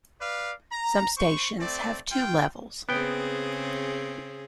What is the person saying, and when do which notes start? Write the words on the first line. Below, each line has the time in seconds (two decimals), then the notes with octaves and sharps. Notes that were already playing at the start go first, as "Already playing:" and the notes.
Some stations have two levels.
0.20 B4 D5 F5
0.71 A#5
1.17 C5 C#6
1.58 A3 C4 D5
2.11 F4 G5
2.89 C#3 B3 C4 G#4 G5